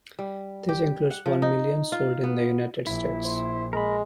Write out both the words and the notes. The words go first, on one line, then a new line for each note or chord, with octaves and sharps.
This includes one million sold in the United States.
G3
G4
F#5
F3
D#4
F4
B3
A#1 A#2 E4
C5
G#3 A#4 B5